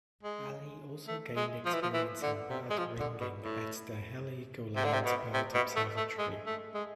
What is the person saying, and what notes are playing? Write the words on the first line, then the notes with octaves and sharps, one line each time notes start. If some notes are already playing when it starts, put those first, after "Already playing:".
Ali also gained experience in bird ringing at the Heligoland Bird Observatory.
G#3
A3
G#3
F3
E3
F3
E3
D3
C3
G#3
F3
D3
B2
A2
C3
D3
C3
B2
C3
B2
A3
A3
G#3
A3
G#3